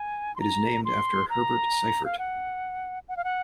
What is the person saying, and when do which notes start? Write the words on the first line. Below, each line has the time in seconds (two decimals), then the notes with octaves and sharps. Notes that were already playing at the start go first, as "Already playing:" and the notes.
It is named after Herbert Seifert.
Already playing: G#5
0.36 C6
0.40 A#5
0.85 C6
1.30 A#5
2.05 F5
2.19 F#5
3.09 F#5
3.17 F5
3.24 F#5